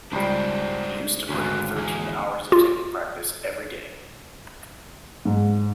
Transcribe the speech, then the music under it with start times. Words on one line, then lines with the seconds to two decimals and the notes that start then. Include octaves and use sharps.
He used to put in thirteen hours of singing practice every day.
0.12 C#2 G3 D4 D#4 C5
1.29 G#1 D2 C#4 G#4 B4
1.77 E3 G#4
2.52 F4
5.25 G#2